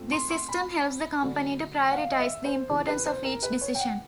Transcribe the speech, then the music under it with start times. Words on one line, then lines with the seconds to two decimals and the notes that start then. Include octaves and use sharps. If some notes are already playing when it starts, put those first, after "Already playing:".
This system helps the company to prioritise the importance of each decision.
Already playing: G#2 F3 A3 C4
0.12 C6
0.30 C6
0.49 B5
1.22 D3 F#3 A3
1.92 F#5
1.96 F5
2.11 D#5
2.20 E5
2.45 C5
2.69 E2 C#3 E3
2.88 B4
3.06 C5
3.24 A#4
3.43 B4
3.61 C#5
3.75 G5
3.80 F#5